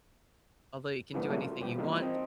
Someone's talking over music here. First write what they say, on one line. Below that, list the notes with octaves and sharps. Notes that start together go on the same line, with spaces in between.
although you can do anything you want,
E3 F3 G3 A#3 B3 D4
C#3 F#3 G3 A3 A#3
F4
B2 E3 F3 G3 B3 G4
E3 G3 A#3 C4 D#4 F4
C4 D#5